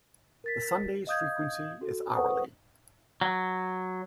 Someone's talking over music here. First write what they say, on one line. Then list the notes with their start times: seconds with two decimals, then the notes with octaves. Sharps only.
The Sundays frequency is hourly.
0.44 A#4 A6 B6
1.07 D#5 F5 D#6 G6 G#6
1.81 F#4 A4
2.15 A4 B4 C5 F#5 C#6 D#6
3.21 F#3